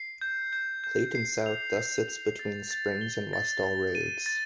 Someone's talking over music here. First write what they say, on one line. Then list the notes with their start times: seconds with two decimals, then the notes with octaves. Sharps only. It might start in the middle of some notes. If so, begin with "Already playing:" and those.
Clayton South thus sits between Springs and Westall Roads.
Already playing: C7
0.21 G6
0.53 G6
0.84 G6
1.15 C7
1.46 F7
1.77 C7
2.08 F7
2.39 A6
2.71 A6
3.01 G7
3.33 A6
3.63 A6
3.95 D#7
4.26 A6